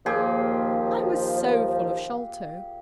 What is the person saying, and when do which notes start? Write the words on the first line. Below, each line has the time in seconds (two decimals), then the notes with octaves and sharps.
I was so full of Sholto.
0.06 D#2 A#2 F3 G4 G#4